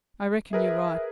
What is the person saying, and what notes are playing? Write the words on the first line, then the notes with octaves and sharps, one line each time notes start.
I reckon yo're right.
G#4 A#4 B4 E5